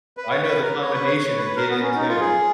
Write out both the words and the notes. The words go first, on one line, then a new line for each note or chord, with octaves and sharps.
I know the combination to get in too.
B4
C#5
B4
A#4
C#5
B4
C#5
C#5
B4
A#4
B3
C#4
D#4
F4
G#4